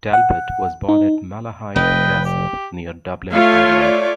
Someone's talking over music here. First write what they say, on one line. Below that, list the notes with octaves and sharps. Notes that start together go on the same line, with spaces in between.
Talbot was born at Malahide Castle near Dublin, Ireland.
F#5
D#4
F1 B4 D#5 G5
G4
A3 F4 C#5 F5
D5